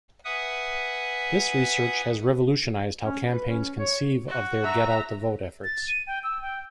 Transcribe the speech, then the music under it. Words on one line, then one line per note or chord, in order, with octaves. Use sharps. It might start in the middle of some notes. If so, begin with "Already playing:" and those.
This research has revolutionized how campaigns conceive of their get out the vote efforts.
B4 E5 F#5 G#5 D#6
C#4
B4
C#4
C#5
F#4
E5 A#5
A6
D#7
G5
E6
G5